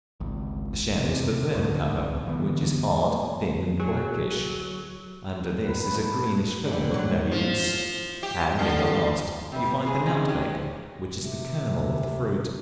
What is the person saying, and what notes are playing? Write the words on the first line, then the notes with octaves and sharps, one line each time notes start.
The shell is the third cover, which is hard, thin, and blackish; under this is a greenish film of no use; and in the last you find the nutmeg, which is the kernel of the fruit.
G#1 C#2
C3
D2 G#2
C2
D3 E3 A3 B3
D2 F#3 G#4
B4 A#5 B5
A3 B3 D#4
A#2 D3 G3
F#3
F3
G4
D3
C3 G3 B4
C#3 G#3 G#4
C4 C#4 D#4
F#3 G4 G#4
C3